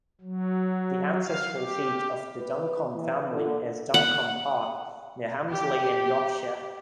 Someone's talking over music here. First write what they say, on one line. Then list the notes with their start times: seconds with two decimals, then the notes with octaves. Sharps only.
The ancestral seat of the Duncombe family is Duncombe Park near Helmsley in Yorkshire.
0.21 F#3
1.22 F5
1.57 G4
2.38 B4
2.95 E3
3.30 D3
3.94 F#5
5.50 G4